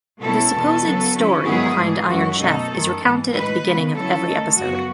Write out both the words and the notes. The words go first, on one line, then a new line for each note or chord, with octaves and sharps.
The supposed "story" behind "Iron Chef" is recounted at the beginning of every episode.
B2 G#3 C#4 E4 A4
E2 B2 G#3 B3
C#3 F#3 B3
C#3 F#3 C#4 E4
G#2 D#3 F#3 B3 E4 G#4
G#2 E3 A3
F#2 D#3 G#3 C#4 E4 F#4
B2 A3 D#4 A4
F#2 D#3 A3
G#2 E3 G#3
A2 G#3 D#4 B4
C#3 G#3 B3
C#3 F#3 C#4 E4 A4
D#3 A3 D#4
F#2 C#3 F#3 B3 F#4